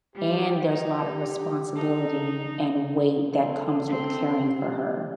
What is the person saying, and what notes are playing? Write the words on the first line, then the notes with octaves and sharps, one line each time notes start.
and there's a lot of responsibility and weight that comes with caring for her.
G3 G4
D#4
D#4 A4
C4 A4
C4
G4